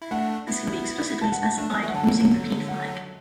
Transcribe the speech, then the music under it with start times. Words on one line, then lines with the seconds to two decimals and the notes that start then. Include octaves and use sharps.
This can be explicitly specified using the -P flag.
0.02 E4
0.11 A3 D4 F#5
0.47 B3 E4
1.21 A5
1.32 F#5
1.42 A5
1.58 A3 D4
1.70 F#3 B3
1.82 E3 A3
1.89 F#5
1.94 D3 F#3 A5
2.68 F#5